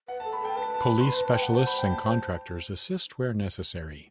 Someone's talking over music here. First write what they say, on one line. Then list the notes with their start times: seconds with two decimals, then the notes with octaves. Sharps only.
Police specialists and contractors assist where necessary.
0.08 B4 F#5
0.20 A5
0.24 A4
0.33 B5
0.41 A4 G5
0.56 B4 A5
0.74 A5
0.81 B5
1.00 C6
1.05 B5
1.17 A5
1.29 G5
1.42 F#5
1.53 C5 A5
1.66 B5
1.78 G5
1.90 A5
2.02 C5